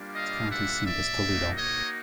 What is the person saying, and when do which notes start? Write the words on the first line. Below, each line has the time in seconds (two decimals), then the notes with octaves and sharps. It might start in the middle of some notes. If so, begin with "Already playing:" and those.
Its county seat is Toledo.
Already playing: G3 A#3 D4 F4
0.14 D#5 F5
0.51 E5 F#5
0.86 D5 E5
1.22 A#3 D#4 F#4
1.58 C#5 D#5